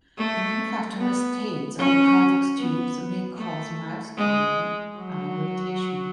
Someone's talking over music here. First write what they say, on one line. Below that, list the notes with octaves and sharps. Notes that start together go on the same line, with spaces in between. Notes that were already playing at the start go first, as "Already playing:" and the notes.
The manufacturer states on Krytox tubes, May cause mild skin and eye irritation.
A3
B3
C#4
B3
A3
G#3
F#3